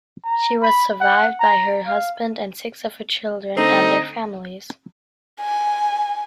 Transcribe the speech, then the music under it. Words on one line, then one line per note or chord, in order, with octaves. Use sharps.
She was survived by her husband, and six of her children and their families.
A#5
B5
F#5
A#5
F5
D3 A3 C4 D#4
G#5